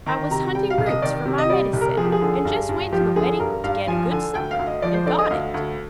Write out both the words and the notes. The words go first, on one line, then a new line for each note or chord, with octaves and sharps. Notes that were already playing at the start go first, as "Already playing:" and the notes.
I was hunting roots for my medicine and just went to the wedding to get a good supper and got it.
D#3 A#5
C3 A#5
G3 G5
F5
C2
D#5
D#3 D5
C3
D#5
G3 D5
C2
A#4
F3 G#4
G4
G#4
D3
G2
G2
F3 G4
D3 G#4
G2 A#4
G2 F5
F3 G#5
D3 G#5
D2 G5
F5
D2
D#5
F3 D5
C5
D3 D5
D#5
D2 F5
D2